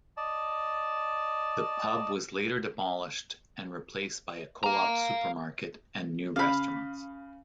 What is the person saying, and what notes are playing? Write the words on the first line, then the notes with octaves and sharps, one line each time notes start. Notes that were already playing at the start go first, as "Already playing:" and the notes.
The pub was later demolished and replaced by a Co-op supermarket and new restaurants.
D5 D#5 A5
F5 A#5
C#3 F5 B5